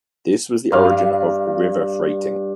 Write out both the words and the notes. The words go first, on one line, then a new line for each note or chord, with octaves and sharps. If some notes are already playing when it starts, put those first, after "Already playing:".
This was the origin of river freighting.
G2 F5